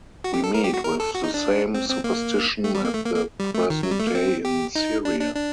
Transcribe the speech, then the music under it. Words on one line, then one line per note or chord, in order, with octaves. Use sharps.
We meet with the same superstition at the present day in Syria.
F#4
G4
A4
A#4
G4
F#4
A#4
A4
F#4
D#4
D4
C4
C4
A#3
A3
G3
A#3
A3
A#3
A#3
G3
A3
D#3
F#3
G3
A3
A#3
C4
G4
D#4
D4
D4
D4